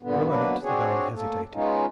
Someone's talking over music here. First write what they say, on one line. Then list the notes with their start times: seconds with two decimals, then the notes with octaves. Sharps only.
For a moment the Baron hesitated.
0.03 G2 A#2 D3 B3
0.27 B2 F#3 A#3 D4 F#4 B4
0.63 C4 D4 F#4 G#4 C#5
1.15 A3 A#3 A4
1.54 G#3 B3 C#4 D#4 F4